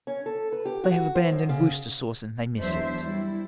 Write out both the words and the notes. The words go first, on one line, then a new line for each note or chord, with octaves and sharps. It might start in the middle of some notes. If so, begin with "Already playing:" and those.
They have abandoned Worcester sauce, and they miss it.
C#4
A4
B4
G4
F#4
C5
F#2
C#3
E2 E3 F#3 D4 C5 E5
G3 E4